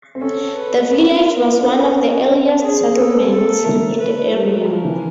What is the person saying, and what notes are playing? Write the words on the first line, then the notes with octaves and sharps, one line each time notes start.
The village was one of the earliest settlements in the area.
C4
C#4 A4
B4
C#4 A#4
D4 A4
C#4 A#4
C4
G#4
C#4 A4
C4
A4
A#3
A3 A#4
B4
G3 A#4
F#3
F3
E3